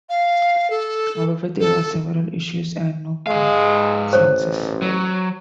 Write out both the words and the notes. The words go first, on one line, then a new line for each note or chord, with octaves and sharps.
However, there are several issues and no consensus.
F5
A4
A4
G#2 G#3 F5
A1 C5 C#5
F#3